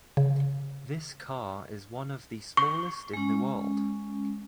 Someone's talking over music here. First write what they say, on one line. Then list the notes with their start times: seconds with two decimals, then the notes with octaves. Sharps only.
This car is one of the smallest in the world.
0.17 C#3
2.57 C#6
3.14 G#3 C#4